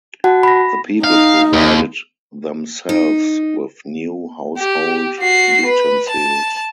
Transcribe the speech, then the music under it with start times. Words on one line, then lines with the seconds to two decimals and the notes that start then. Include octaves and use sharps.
The people provided themselves with new household utensils.
0.24 F#4 F#5 A5
0.43 B5 A#6
1.04 D#4 F5
1.53 D#2
2.89 D#4
4.58 G4
5.20 F#4 C7
5.66 B4
6.09 A5